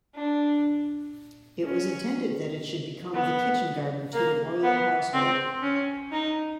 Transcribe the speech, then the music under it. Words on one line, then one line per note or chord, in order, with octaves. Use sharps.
It was intended that it should become the kitchen garden to the royal household.
D4
C#4
B3
A#3
B3
C4
C#4
D#4